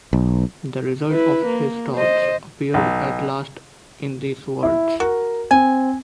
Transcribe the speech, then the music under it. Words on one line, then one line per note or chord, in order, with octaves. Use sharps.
The result of his thoughts appeared at last in these words.
B1
E4 B4
A#3
C5 D#5
B1
E4
F#4 A#4
C4 G#5